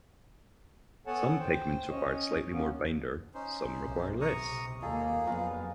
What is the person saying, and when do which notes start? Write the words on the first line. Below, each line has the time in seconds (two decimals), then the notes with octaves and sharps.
Some pigments require slightly more binder, some require less.
1.07 B3 A4 C#5 F#5 G#5 A5
1.39 C5 G5
1.90 C#4 C#5 D#5
2.53 A#3 B3 C#4
3.34 C#4 D#4 C5
3.77 B1 C3
4.21 A#5 C#6 D#6
4.82 D#2 A#3 D#4 F4 G#4 A4
5.26 F2 F#3 B3 F4 A#4 G#5